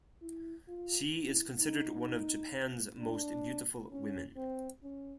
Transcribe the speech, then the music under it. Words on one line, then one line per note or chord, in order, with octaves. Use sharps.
She is considered one of Japan's most beautiful women.
E4
F4
E4
D#4
D4
C#4
C4
C#4